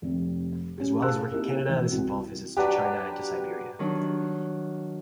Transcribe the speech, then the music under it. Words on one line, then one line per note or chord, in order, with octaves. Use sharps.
As well as work in Canada this involved visits to China and to Siberia.
F1 C3
C#4 G4
G#4 A#4 F5 A5 E6 F#6
A#3 C4 D#4 E4 G4 A#4
A1
C2 C4 F#4
F#3 D4 G4 B4
D#3 F#3 D4